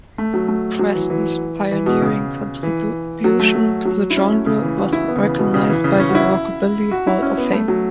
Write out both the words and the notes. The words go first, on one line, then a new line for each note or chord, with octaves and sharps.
Preston's pioneering contribution to the genre was recognized by the Rockabilly Hall of Fame.
A3
F#3
A3
F#3
E3
E3
E3
B2
C#3
E3
F#3
A3
F#3
F#3
E4
C#4
A3
C#3
E3
F#4
E4
B3
C#3
E3
B2
C#3
E3
C#3
C#4
F#4
E4
F#4
E4
C#4
B3
A3
F#3